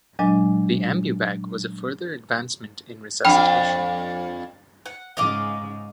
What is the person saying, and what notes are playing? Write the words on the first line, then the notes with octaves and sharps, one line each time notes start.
The ambu-bag was a further advancement in resuscitation.
A#2 F#3 G#3 D4 D#5 G#5
F2 D4 G5 B5 F6
F#5
G#2 C#3 D#5 F5 D6